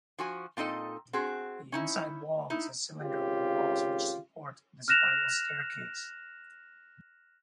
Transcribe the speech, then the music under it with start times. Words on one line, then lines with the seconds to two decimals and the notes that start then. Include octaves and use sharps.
The inside wall is a cylinder with walls which support the spiral staircase.
0.19 F3 F#4 G#5
0.57 A#2 C4 D#4 A4 D#5
1.13 C4 F#4 G#4
1.72 C#4 D#4 E4
2.50 D#4 E4
3.02 G#1 C#3 F4 G4
4.88 F6 F#6 A#6 E7 F7